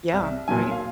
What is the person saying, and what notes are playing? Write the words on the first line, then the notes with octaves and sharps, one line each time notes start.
Yeah, right?
C2
A#2 F#3 G#5
F5